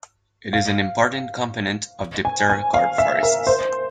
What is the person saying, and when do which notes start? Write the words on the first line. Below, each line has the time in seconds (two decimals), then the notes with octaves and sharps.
It is an important component of dipterocarp forests.
0.53 F5
2.25 G#5
2.50 G#5
2.74 F5
2.98 E5
3.23 A#4
3.47 C5